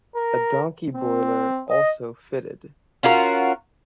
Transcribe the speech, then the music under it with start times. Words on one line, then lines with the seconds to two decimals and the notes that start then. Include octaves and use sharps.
A donkey boiler also fitted.
0.15 A#4
0.95 C4
1.69 D#5
3.03 C#4 F4 F#4 A#4